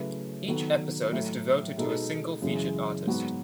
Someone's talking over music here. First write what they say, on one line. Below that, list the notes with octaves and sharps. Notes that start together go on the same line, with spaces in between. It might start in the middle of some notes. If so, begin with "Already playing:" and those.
Each episode is devoted to a single featured artist.
Already playing: C#3 F#3 A3 E4 B4
D#3 F#3 B3 F#4 A4
A2 F#3 A3 E4
B2 G#3 B3 D#4 A4
F#2 C#3 E3 G#3
G#2 F#3 B3 F#4